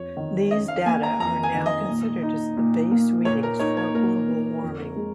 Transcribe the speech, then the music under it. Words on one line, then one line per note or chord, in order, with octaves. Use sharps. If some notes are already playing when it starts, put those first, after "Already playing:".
These data are now considered as the base readings for global warming.
Already playing: F2 C#5
D#3
C#4 D#5
F5
A#3 G#5
A#5
F2 A#5
G#5
D#3
D#5
A#2
D#4
A#2
A#3
A#2 C#5
A#4
D#4 C#5
C#5
A#2 A#4
A#3
F2
G#3